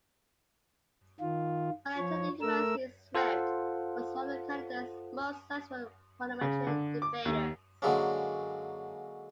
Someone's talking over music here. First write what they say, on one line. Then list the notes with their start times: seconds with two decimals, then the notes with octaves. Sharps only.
While attending university, Swift was one of Canada's most successful parliamentary debaters.
1.20 D#3 F4
1.98 F3 C#5
2.41 A3 A#4 E6
3.15 F4 A4 C5 F5 F#5
6.41 C#3
6.67 D3
7.02 D6
7.25 D#2
7.82 D3 F#3 G#3 A#3 C#4